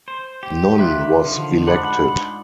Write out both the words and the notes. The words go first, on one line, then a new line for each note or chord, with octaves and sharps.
None was elected.
C5
G4
D#3 F4 B4 E5 D6 F#6
D3 D#3 F3
G#2 D4 F#5 B5